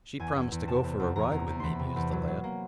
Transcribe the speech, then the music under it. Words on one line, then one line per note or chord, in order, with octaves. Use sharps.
"She promised to go for a ride with me," mused the lad.
E2 G#5
E2
E2
C3 A5
E2
E2
E2 A#5
E2
E2
E3 B5 C6
C3
E2
F#3
F#3
A#3